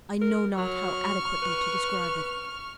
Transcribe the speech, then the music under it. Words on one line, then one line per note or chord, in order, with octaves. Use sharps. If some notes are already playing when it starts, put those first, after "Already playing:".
I know not how adequately to describe it.
A#4
F#3 C#6 F6
B4